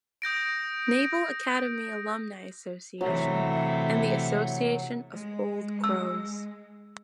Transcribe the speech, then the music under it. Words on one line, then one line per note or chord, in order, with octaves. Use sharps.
Naval Academy Alumni Association and the Association of Old Crows.
D#6 G6 A#6 D7
C3 E3 F#3 A3
G#3
E6